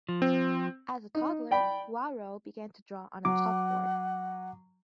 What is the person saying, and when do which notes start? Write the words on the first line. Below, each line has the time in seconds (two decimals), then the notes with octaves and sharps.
As a toddler, Wawro began to draw on a chalkboard.
0.09 F3
0.22 C4
1.15 D#4
1.51 D5 G5 B5
3.25 F#3 F#5 D6